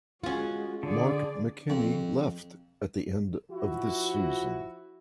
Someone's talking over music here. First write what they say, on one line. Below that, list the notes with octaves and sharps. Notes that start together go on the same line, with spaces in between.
Mark McKinney left at the end of this season.
G#3 C#4 F4 F#4 F#5
D3 G#4 D5
F2
F3 E4 F#4